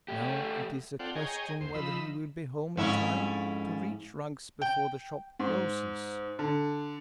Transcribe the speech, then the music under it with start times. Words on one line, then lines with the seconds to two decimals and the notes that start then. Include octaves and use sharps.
Now it is a question whether he will be home in time to reach Rugg's before the shop closes.
0.08 A3 G4
0.99 C4 F4 A4 D5 F#5 G5
1.16 G#4 C#5 D#5 G5 G#5 A#5
1.61 D#2 C5
1.74 F3 D#4 B5 E6
2.77 F2 G#2 C#4 E4
4.62 G5
5.39 G#2
6.39 D3